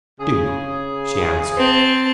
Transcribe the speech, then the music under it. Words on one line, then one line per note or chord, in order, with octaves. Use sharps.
"Do," she answered.
C#3 G#4
C4 A5